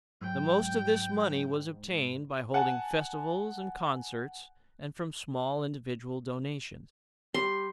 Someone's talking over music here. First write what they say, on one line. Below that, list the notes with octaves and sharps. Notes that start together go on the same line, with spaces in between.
The most of this money was obtained by holding festivals and concerts, and from small individual donations.
G#2 F#3 G5
F#5 G#5 A5
G3 C6